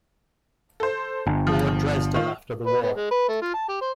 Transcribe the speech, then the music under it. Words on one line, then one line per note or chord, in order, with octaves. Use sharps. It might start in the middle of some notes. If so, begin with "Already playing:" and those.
Or Dresden after the war.
A4 C5
G1
F3
D#3 F4
B4
B3
G#3
B4
A3
F4
A5
G4
C5